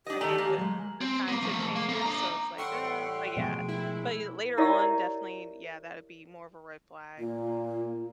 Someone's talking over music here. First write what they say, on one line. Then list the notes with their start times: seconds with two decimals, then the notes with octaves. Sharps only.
I think the the times have changed, so it's, like, "Uh" But yeah, but you later on, definitely yeah, that'd be more of a red flag,
0.06 D4 G4 D#5
0.21 D#3 A3 D5 G#5 A#5 F#7
0.38 A#3
0.58 F#3 G#3
1.01 C4
1.28 A#3 B3
1.43 F3 A3
1.76 A#3
1.89 A#3 A4
2.02 D4 A#5
2.58 A2 E3 G3 F#5 G5 C6 C#6
3.37 B2 F3 G#3 A3
3.68 E4
4.57 E4 G4 A#4 C#5 D5 E5
7.19 A#2 A#3 F4